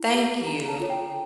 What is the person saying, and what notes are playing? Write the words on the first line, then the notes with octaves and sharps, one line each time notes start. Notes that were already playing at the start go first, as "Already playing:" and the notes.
Thank you.
Already playing: E4
G4 A#4
D4 A#5
A5
F4 A4 C#5
G5